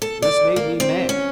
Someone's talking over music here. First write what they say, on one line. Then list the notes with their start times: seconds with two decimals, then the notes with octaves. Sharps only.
This made me mad.
0.02 A4
0.22 D5
0.56 A#3
0.80 C4
1.09 C#4